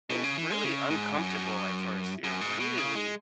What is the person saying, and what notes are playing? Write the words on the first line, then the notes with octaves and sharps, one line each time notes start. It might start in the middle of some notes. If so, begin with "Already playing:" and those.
It's really uncomfortable at first. You're really
B2
C#3
E3
G#3
C#3
G#2
F#2
F#2
G#2
B2
C#3
G#3